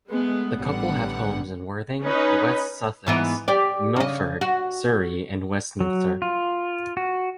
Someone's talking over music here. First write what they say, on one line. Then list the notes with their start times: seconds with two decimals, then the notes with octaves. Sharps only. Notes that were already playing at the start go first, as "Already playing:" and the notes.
The couple have homes in Worthing, West Sussex, Milford, Surrey and Westminster.
0.10 G#3 A3 B3
0.57 A1 D3 G3 B3 F#5
2.03 C#4 D#4 B4
3.07 G#2 E3 B3
3.48 G4 D5
3.96 C#3 D#5
4.41 F#4
5.80 F#3
6.22 F4
6.97 F#4